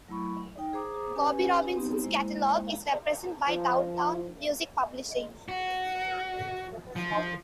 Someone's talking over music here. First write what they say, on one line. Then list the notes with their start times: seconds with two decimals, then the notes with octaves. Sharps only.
Bobby Robinson's catalog is represented by Downtown Music Publishing.
0.08 F#3 A3 E4 B5 C#6
0.58 D#4 G5
0.73 G#4 C5 A#5 D6 D#6
1.16 C#4 G4 B4 G#5
1.76 B3 C4 D#4 G4
2.03 G#3 A#3 E4 C5
3.48 F3
5.49 F#4
6.96 F3